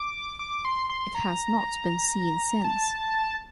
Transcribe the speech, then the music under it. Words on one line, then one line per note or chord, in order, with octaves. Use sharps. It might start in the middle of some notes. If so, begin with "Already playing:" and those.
It has not been seen since.
Already playing: D6
D6
C6
C6
A#5
A5